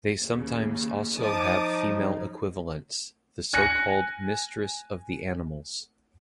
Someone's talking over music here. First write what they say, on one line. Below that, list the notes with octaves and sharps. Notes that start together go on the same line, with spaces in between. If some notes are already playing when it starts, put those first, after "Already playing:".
They sometimes also have female equivalents, the so-called Mistress of the Animals.
D#2 C#3
F3 D#4 A5 D6 D#6
F#2 C#3
G#5 F#6 A#6 C#7